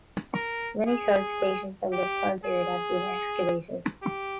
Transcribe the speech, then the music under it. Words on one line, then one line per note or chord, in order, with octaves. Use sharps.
Many sites dating from this time period have been excavated.
A#4
G#4
G4
G#4
G4